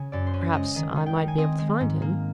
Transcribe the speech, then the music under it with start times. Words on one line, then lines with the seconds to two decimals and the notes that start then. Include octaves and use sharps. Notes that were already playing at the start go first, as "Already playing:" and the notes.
Perhaps I might be able to find him.'
Already playing: C#3 G#5
0.12 F#2 D5
0.27 C5
0.34 C#4
0.41 D5
0.54 G#3 D#5
0.75 D#3 D#5
0.96 D#3
1.06 G5
1.17 D#4
1.28 G#5
1.38 C4 D#5
1.59 G#3
1.81 G#2
2.02 A#3